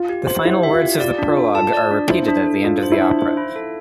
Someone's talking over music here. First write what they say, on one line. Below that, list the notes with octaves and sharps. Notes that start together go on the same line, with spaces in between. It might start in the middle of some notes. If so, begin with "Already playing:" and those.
The final words of the prologue are repeated at the end of the opera.
Already playing: F4
G4
C5
E4 G4
E5
F4
G4
F4 D5
D4
F4
A4
F4 A5
D5
D4
E4 C5
D4
A4
D4 F4
C5
E4
D4
C5
E4
A4